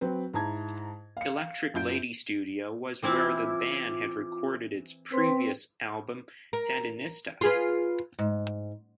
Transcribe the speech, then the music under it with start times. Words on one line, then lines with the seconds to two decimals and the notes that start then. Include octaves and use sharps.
Electric Lady Studio was where the band had recorded its previous album Sandinista!
0.01 F#3 C4 B4
0.33 G#2 E4 A5 A#5 G#6
1.17 F5 C#7
1.74 F#2 F4 G6 D7
3.02 E3 C4 E4 F4 D6
5.12 C4 B4 C6
6.53 A#4
7.41 F4 G#4 B4
8.19 G#2